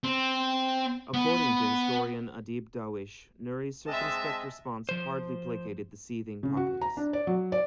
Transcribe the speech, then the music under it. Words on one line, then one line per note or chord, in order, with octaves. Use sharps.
According to historian Adeeb Dawish, Nuri's circumspect response hardly placated the seething populace.
C4
B3
G#3 C4 D#5 E5 A5
F3 C5
C#3
F#4
A#5
D4
D5
F#3
D5